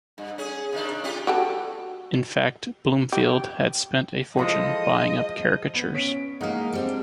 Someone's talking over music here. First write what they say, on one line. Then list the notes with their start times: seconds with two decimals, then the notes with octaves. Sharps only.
In fact Bloomfield had spent a fortune buying up caricatures.
0.18 G2
0.38 C#4 G#4
0.72 C3 D#3 D4
1.04 C#4 F4 G4
1.27 F#4 G4 A4
3.12 G4
4.37 E3 F3 G#3 A4 D#5
5.74 B3
5.94 C#4 B6 D7
6.41 G#3 A#3 D#4 F#5 F6
6.73 G3 C4 D4